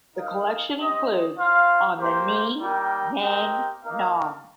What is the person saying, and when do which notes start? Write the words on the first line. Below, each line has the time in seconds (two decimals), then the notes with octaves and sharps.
The collection includes "On the Ning Nang Nong".
0.16 D#4 A#4 F5
0.76 C4 G4 D#5
1.38 F4 C5 F5
1.99 A#3 G4 C5
2.60 G3 A#3 D#4 A#4 G5
3.21 C4 G4 A#4 D#5 G5
3.82 A#3 D#4 A#4 F5